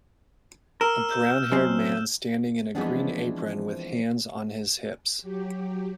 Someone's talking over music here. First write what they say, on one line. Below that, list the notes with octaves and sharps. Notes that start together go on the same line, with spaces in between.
A brownhaired man standing in a green apron with hands on his hips.
A#4 E6 F6 E7
G6
F#2 B2 C4
E3 F3 G#3 B3 C4 D4
F#3 G4